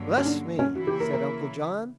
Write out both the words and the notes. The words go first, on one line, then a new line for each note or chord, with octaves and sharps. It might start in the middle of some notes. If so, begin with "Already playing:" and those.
"Bless me!" said Uncle John.
Already playing: G2 D3 F#3 A#3
C#4
D4
C#4
C#3 E3 A#3 E4 F#4
G4
A#4
A#4